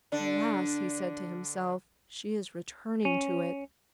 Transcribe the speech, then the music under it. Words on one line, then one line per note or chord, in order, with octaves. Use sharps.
"Alas!" he said to himself, "she is returning to it."
D3 D4
C#4